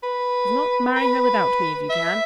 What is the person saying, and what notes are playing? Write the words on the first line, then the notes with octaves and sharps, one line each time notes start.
If not, marry her without me if you can.
B4
B4
E5